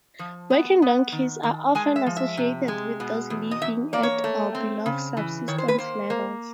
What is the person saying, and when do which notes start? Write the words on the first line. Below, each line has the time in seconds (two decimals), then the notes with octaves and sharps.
Working donkeys are often associated with those living at or below subsistence levels.
0.19 F3
0.50 B3
0.82 B3
1.12 D#3
1.43 D#3
1.75 G#3 G#5
1.96 E5
2.06 F3
2.17 E5
2.37 C3
2.68 G#3
3.00 B2
3.30 E2
3.51 D#5
3.62 E2 E5
3.93 A#3 D5
4.03 C#5
4.24 A3
4.55 C4
4.86 C#3
5.17 E3
5.48 D#3 C#5
5.58 C5
5.68 B4
5.78 A#3 C5
6.10 A#3